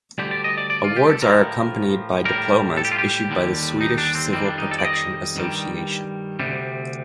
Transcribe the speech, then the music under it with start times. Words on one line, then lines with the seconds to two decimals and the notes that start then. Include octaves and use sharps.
Awards are accompanied by diplomas issued by the Swedish Civil Protection Association.
0.18 D2 D3 G3 G4
0.31 D5
0.44 D#5
0.58 D5
0.70 D5
0.84 F4
0.97 G4
1.10 A4
1.22 A2 F3 A#4
2.25 A2 G3 A#4
2.77 A4
2.85 G4
2.92 F4
2.99 G4
3.29 D#2 D3 G3
3.81 D#4
3.98 D4
4.15 C4
4.32 F2 D#3 G3 C4
4.45 D4
4.58 D#4
4.71 A4
4.79 D5
4.85 D#5
5.36 G2 D#3 G3
6.39 D2 C3 G3